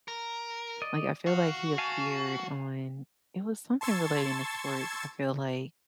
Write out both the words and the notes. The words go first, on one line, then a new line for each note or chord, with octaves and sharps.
Like, I feel like, he appeared on it was something relating to sports, I feel like
A#4
D5 D#5
F#4 F5
F5 G#5 A5
A5 C6 C#6 E6 G#6 A6